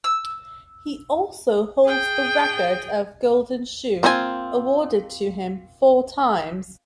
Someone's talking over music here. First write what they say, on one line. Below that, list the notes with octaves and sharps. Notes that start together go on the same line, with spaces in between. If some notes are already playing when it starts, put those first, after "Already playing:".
He also holds the record of Golden Shoe, awarded to him four times.
E6
G#4 G5
A#3 C4 F4 F#4 G#5